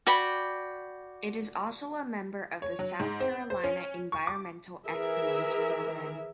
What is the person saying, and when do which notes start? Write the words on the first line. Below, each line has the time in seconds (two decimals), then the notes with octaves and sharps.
It is also a member of the South Carolina Environmental Excellence Program.
0.07 F#4 D5 G5 B5
2.62 C#5
2.79 F#3
3.00 G#2
3.20 C4
3.50 C5
3.64 C#4
4.12 C#6
4.27 D6
4.86 E3 G#4 A#4 E5